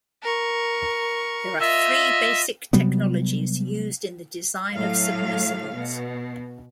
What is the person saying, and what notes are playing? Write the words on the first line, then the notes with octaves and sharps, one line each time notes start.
There are three basic technologies used in the design of submersibles.
A#4 C#6
F4 D#5 E5
C3 F#3 G3 B3
A2 F#3 A3 F5
B2